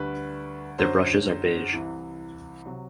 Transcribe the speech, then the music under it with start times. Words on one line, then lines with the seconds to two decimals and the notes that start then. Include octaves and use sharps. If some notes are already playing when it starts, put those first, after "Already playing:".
Their brushes are beige.
Already playing: D2 D3 G3 B4
0.79 F#2 D3 F#3 C5
1.72 C2 C3 E3
2.66 C3 F#3